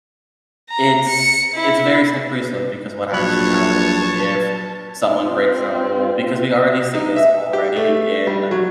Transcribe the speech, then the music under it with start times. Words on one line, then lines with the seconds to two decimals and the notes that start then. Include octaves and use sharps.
It's it's a very slippery slope, because what actually happens if someone breaks that rule because we already see this already in
0.70 A#5
1.09 C#7
1.54 E4
3.13 A#1 F#3 C#5 A5 B5 F#6
5.22 C4 F4
6.94 D#4
7.16 E5
7.53 G4
7.76 A3
8.27 G3
8.51 F#3